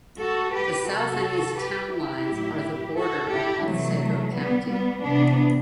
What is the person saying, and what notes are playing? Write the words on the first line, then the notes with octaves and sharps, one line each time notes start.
The south and east town lines are the border of Otsego County.
F#4 A4
G4 B4
C3 F#3 F#4 A4
G4 B4
E4 G4
A2 F#3
F#4 A4
E4 G4
C3 E3 F#3 A3
G3 B3
G3 B3
C3 E3 B3 D4